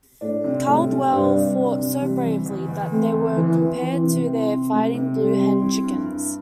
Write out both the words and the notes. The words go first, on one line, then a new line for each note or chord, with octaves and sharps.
Caldwell fought so bravely that they were compared to their fighting blue hen chickens.
A2 D4
C3
A2 G3
G3
G2 C3
D4
C3
C3
E3 G3
E3
E2
E2
A3 C4
E2
E2 E3
C4
E3 C4
C3
C4
C3
C3 A3
C3
G3 C4
C4
E4
G2
G2